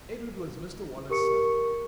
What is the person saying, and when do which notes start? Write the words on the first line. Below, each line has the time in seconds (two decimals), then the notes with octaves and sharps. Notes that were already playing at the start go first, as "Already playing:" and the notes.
Edward was Mr Waller's son.
1.09 G4 A#4 C#6 C#7